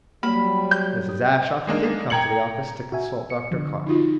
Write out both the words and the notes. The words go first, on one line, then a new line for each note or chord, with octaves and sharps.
Mrs. Ashe often did come to the office to consult Dr. Carr.
F#3 G3 A#3 B5
G6
G4
G#3 A#3 D4 D#4
G5 A#5 G#6 C#7 F#7
F#4 E5 G#5
C#7
D3 F3
D#4 F4 F#4